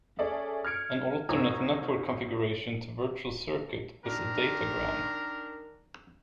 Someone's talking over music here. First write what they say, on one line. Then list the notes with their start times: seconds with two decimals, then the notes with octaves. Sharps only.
An alternate network configuration to virtual circuit is datagram.
0.19 C#4 G#4 A4 D5 E5
0.65 F6 G#6 C#7 D7
1.29 F#1 C2 D#4 C#5 A#5 E6
4.04 D#3 D4 A#4